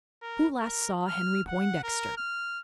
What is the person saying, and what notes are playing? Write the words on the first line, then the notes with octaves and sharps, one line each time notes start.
Who last saw Henry Poindexter?
A#4
A#4
F6
F#5
A#4
F6